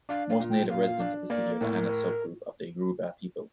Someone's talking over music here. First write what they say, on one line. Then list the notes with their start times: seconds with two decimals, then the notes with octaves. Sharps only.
Most native residents of the city are the Ana subgroup of the Yoruba people.
0.09 D4 F5
0.30 F5
0.40 A#2
0.50 G5
0.70 A#2 F5
1.00 D4
1.30 A#3 D5
1.61 A2 A#4